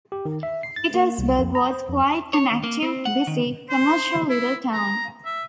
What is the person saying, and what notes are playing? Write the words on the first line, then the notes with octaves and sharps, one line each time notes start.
Petersburg was quite an active, busy, commercial little town.
G4
D#3
E5
C7
A6
A#3
C2
F2
A#5
C5
F2
C#5
D#2
A#3
C4
F#5
D#3
C5
E4
A#5
E5